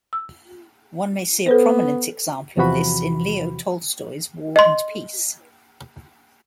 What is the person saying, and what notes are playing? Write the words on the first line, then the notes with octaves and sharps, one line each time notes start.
One may see a prominent example of this in Leo Tolstoy's "War and Peace".
E6
B3 A4 B4 C5
E2 C3 E3 F3 F#4 B5
D#5 C6